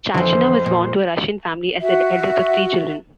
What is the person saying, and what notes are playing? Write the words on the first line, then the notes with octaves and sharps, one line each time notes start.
Tchachina was born to a Russian family as the eldest of three children.
F2 D3 E3 C5
A#2
F#4 E5